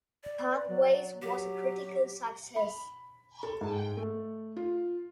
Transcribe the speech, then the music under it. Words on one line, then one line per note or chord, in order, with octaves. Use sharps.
"Pathways" was a critical success.
D5
B4
F#3
F#3 G4
B5
A4
G#2
A3
F4